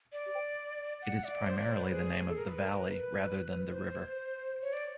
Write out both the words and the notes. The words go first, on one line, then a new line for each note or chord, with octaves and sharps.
It is primarily the name of the valley rather than the river.
D5
F#5
D5
C5
D5
C5
B4
G#4
A4
A#4
B4
A#4
B4
C5
C#5
D5